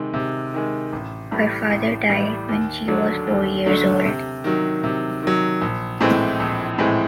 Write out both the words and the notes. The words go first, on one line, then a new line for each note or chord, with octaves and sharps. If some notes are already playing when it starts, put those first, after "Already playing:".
Her father died when she was four years old.
Already playing: C3 D#3 G#3
C3
D#3 G#3
A1
A2 E3 G3
A1
A2 E3 G3
D#2
D3 F#3 A3 D4
D#2
D3 F#3 A3 D4
C3
D#3 F#3
C3
D#3 F#3
A#1
A2 E3 G#3 C4
A#1
A2 E3 G#3 C4